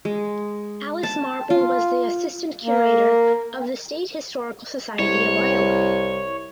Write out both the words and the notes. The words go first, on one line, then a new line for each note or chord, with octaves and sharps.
Alice Marple was the assistant curator of the State Historical Society of Iowa.
G#3
A5
F4
A#3
C2 C#5